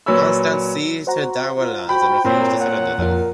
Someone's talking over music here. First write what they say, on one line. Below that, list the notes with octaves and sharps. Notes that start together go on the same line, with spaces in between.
Constance seized her dower lands and refused to surrender them.
A#2 F#3 B4 C#5 B5 E6
F#4 C5 F#5 A#5
F4
F#4 G5 B5
A#2 C4 C#5
F#5
F2 F4 A#4